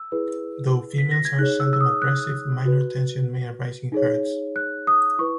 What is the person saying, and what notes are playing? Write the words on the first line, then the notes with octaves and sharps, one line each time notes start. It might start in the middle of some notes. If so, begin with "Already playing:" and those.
Though females are seldom aggressive, minor tension may arise in herds.
Already playing: E6
E4 G#4 B4
B6
A#6
G#6
D#4 G#4 C#5 F#6
E6
E6
D#6
F#6
F#4 B4
D#4 G#4 C#5
F#6
D#6
E4 B4 C#6